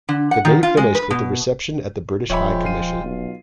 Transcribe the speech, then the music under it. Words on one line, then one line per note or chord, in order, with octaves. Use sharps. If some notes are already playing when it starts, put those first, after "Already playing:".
The day finished with a reception at the British High Commission.
D3
F#5
D#3
F4
G#3
B4
B2
D#1 F3 G#3 C#5 E5 G5 B5
F4 C7 D#7
B1